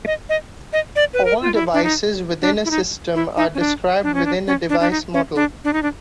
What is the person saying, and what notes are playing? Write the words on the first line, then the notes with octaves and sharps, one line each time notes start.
All devices within a system are described within a "device model".
D#5
D#5
D#5
D5
B4
A#4
F4
E4
D4
D#4
D4
E4
D#4
E4
D#4
C#4
D4
D4
C#4
D4
C#4
D4
D4
D#4
C#4
D4
D4
D#4
D4